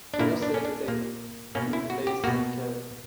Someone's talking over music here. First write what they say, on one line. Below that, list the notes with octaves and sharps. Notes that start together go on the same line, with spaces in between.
He was selected to replace Kher.
D4
A#2 A#3 E4
D4
C#4
D4
A#2 A#3
B2 A#3 C#4
E4
F#4
G4
B2 A#3 F#4